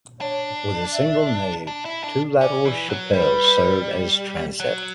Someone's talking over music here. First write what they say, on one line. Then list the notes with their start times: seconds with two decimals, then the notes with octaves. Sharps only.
With a single nave, two lateral chapels serve as transept.
0.21 D4 C#5
0.94 E5
1.67 D4
1.85 E4
2.04 D4
2.41 C#4 D5
2.65 E3
2.90 F#3
3.13 G3 B4
4.60 F#3